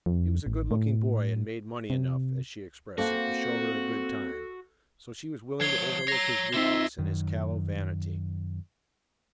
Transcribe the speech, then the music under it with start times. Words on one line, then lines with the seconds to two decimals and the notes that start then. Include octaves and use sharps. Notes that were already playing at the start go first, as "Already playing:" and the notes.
He was a good-looking boy and made money enough, as she expressed it, to show her a good time, so she was willing to overlook his weakness and his callow vanity.
0.06 F2
0.46 A1
0.71 A2
1.90 C3
2.98 A#3 C4 F#4 A4 F5
5.61 F3 C#5 G#6 C7 G7
6.08 C#5 A#5 A#6
6.54 D3 C4 D#4 F4 E5
6.98 F#2 D#3